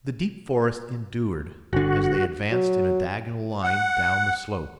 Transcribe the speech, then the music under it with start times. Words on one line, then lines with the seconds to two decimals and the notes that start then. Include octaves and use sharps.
The deep forest endured as they advanced in a diagonal line down the slope.
1.73 G1 D3 F#4
2.52 F#3
3.63 F#5